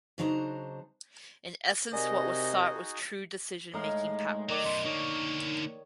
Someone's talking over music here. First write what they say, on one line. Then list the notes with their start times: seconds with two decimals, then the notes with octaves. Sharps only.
In essence what was sought was true decision making powers.
0.18 C#3 F#3 D4 D#4 C5 A#5
1.93 C3 D#4 F#4 G#4 A#4 D5 D#5 G#5
3.74 A2 G#3 D#4 F5
4.49 D#3 F#3 D5 D#5
4.66 F#2 B2 C6
4.86 D3 A#3 D#4 C#5